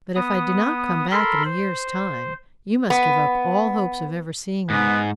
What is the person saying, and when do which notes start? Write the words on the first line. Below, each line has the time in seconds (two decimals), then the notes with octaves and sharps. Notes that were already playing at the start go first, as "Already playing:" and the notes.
But if I do not come back in a year's time, you must give up all hopes of ever seeing me.'
0.16 B3 D#6
1.11 A4 A#4 B5 C6
1.45 C5
2.90 B3
4.70 G#2 B3